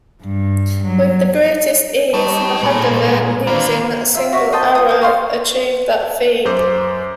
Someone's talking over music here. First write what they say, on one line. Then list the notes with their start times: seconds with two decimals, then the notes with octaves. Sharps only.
With the greatest ease, Mahadeva, using that single arrow, achieved that feat.
0.22 G2
0.84 F#3
2.14 G3 D#4 C#5 D#5 A5
2.63 A#2 G#3 B3 A4
3.47 D#3 A#3 D4 F4 B4
4.14 F4 E5
4.32 F#4 E5 C#6
4.52 C5 D#5 G5 A5
4.75 F4 D#6
4.89 G5 D#6
5.01 F5 C6 C#6
6.45 F#2 C5 D6